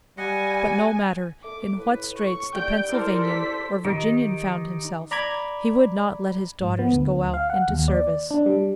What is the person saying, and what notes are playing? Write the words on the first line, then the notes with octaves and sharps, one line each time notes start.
But no matter in what straits the Pennsylvanian or Virginian found himself, he would not let his daughters go out into service.
G3 D#5 F#5 G#5
A3 D6
A2 B4
C#6
G3 G5 G6
E4 A4 A#4 C5 D5
B6
D#3 D#4 G4
D5 A#5 B5 D6 G#6
G#2
B3
D2
F5
F#5
D#2
D5
D4
G3